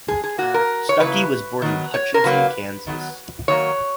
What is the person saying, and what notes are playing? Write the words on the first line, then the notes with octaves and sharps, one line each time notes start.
Stucky was born in Hutchinson, Kansas.
G#4
G#4
A#2 A#3 F#4
A#4
C#5
C#3 E3 A#3 B4
D#3 F#3 B3
C#5
A#4
C#3 F#3 A#3 B4
D#3 F#3 B3
D#3 F#3 A#3 C#5